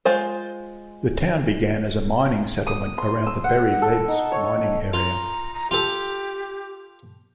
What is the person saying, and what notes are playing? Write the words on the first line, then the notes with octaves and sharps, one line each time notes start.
The town began as a mining settlement around the Berry Leads mining area.
G#3 F4 C5
D#6
C6
E6
F#5
A4
D#4
C#5
F4 A#5
A#5
F4 G4 A4